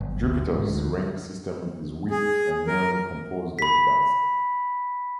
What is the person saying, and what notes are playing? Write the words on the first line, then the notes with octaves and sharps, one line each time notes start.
Jupiter’s ring system is weak and mainly composed of dust.
G1
D2
G#2
D2
G#4
A#4
B5 B6